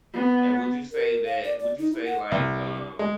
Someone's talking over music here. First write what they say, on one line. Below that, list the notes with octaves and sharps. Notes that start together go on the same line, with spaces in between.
And would you say that would you say like, um,
B3
A#4
F5
D5
D5
D#4
E4
F#5
C2
G#3